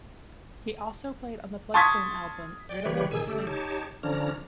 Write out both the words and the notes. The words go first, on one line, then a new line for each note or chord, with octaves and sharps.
He also played on the Bloodstone album "Riddle of the Sphinx".
A5 C6 C#6 D#6 G#6 B6
D5 G5
C#3 E3 G3 G4 B4 C#5
A#2 D#3 G#4 G#5 E6
C#3 A3 G4 A4
D#4 G4 C#5 A5
D3 F3 C#4 D4 A#5 F6